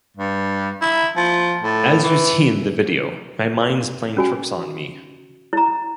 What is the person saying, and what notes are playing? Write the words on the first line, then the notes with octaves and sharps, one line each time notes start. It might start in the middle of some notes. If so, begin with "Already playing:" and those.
As you see in the video, my mind's playing tricks on me.
G2
E4
F3
A2
E3
C#4 F#4 G#5
E4 A#5